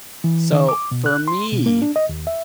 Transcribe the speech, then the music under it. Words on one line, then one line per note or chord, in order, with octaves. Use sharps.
So, for me,
E3
D#3
D6
B2
F#6
C6
B2
A#3
D4
D#5
D#2
E5